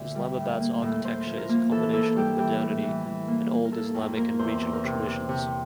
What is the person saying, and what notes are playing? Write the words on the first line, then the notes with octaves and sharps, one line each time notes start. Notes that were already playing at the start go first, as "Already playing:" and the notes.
Islamabad's architecture is a combination of modernity and old Islamic and regional traditions.
Already playing: D2 D3 E5
G3
A2
A#3
A2
A2 C5
F3
A#4
A#3
E3 A4
A#3 A4
G3 G4
E3 G4
A2
E3
E3
A#3
A#3
A#4
A#3 A4
F2 A#4
A#3 A#4
E2 C5
E2
A#4
C3
C3
C3